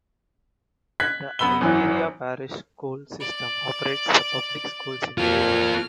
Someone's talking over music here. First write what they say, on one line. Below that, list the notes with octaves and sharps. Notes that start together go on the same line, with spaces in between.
The Iberia Parish School System operates the public schools in the area.
F#6 G#6 B6
F#2 B3 B5 E6 G7
G#1 F#2 E3 F#3
D5
A#2 F4 A4 F6